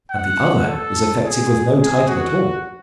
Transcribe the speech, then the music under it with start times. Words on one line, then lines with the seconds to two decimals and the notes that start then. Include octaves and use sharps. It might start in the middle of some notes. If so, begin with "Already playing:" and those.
And the other is effective with no title at all.
0.10 F#5
0.67 A4
1.23 G#4
1.80 G#4
2.07 F#4